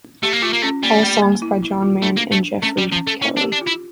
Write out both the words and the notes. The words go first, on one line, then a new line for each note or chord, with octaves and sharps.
All songs by John Mann and Geoffrey Kelly.
A3 G4
A#3
A3 F4
A#3
A3 C#4
G3 A#3
A3
A#3
E4
E4
F4
A3 D4
A#3
A3 D4
A3 C#4
G3
F3 C#4
A3
C#4 E4
D4
G4
D4
F4
E4